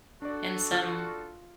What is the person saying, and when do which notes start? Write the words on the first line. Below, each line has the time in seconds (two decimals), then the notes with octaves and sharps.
and some
0.22 D4 F#4 A4 D5
0.72 F4